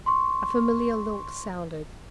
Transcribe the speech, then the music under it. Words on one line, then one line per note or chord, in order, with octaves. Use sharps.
A familiar lilt sounded.
C6 C#6